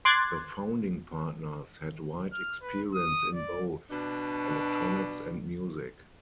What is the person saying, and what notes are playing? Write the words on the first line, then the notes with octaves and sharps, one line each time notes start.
The founding partners had wide experience in both electronics and music.
C6 D6 F#6 G#6 A6
F6
B4
D#6
D5
B2 D4